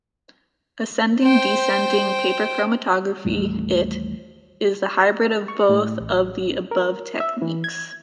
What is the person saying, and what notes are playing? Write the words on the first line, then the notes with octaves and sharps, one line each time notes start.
Ascending-Descending Paper Chromatography-It is the hybrid of both of the above techniques.
C5 G5
A1 D#2 A2 G3
C#6
A2
A1
A#4
E5
E3
G#6